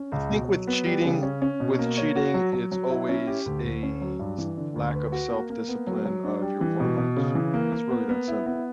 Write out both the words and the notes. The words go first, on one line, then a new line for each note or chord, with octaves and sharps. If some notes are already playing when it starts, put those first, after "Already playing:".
I think with cheating with cheating, it's always a s lack of self-discipline of your hormones. It's really that simple.
Already playing: C#4
C#2
B2
F#3
B3
G3
C#3
C#4
C#4
B2
A#3
C#5
F#4
F#3
F#3
F#3
E4
C#4
G4
D2
D2
C#4
F#3
G2
E3
D3
D2
B4
F#4
A#3
A#3
B3
F#3
F#3
D4
G3
E3
B2
B2
C#3
E3
A#3
A#3
B3
B3
E4
B3